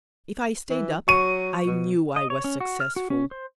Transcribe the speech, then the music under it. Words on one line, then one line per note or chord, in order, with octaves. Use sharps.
If I stayed up I knew I was successful.
E3
F#3 C#6 D#7
B2
D#5
C#5
C#4
F#4
F6
F#4
C#4
C5